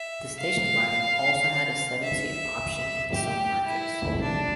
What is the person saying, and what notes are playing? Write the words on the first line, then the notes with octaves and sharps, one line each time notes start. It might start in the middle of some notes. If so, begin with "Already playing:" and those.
The station wagon also had a seven-seat option in some markets.
Already playing: E5
F5
E5
G4
E4
D4